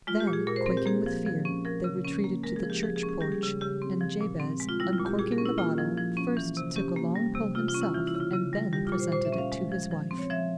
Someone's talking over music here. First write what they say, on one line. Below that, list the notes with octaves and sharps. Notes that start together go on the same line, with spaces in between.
Then, quaking with fear, they retreated to the church porch, and Jabez, uncorking the bottle, first took a long pull himself, and then presented it to his wife.
G#3 F4
G4
A#2
G#4
A#2 A#4
C5
C4 A#4
G4
A#3 G#4
F3
F3
C#4
F3 A#4
C#3
C#4
A#3
G#3 A#4
G#4
F3
G4
F3 G#4
G#4
C#4
G#4
G3 G4
G#4
C#3
C#3 G4
C4
F3
A#2
C4
G#3
F4
G3 E4
F4
A#2
G4
A#2 G#4
A#4
C#4
E4
A#3 F4
F3
F3
C#4
E3
C3
C#4 G4
A#3
G3
C3
C3 F4
F4
C#4
E4
E3 F4
E4
C#3
F4
C#3
G3
G3 G4
F4
A#2
C5
A#2 C5
E5
C#4
F5
G#3
F3
F3
C4
C#5
F3 E5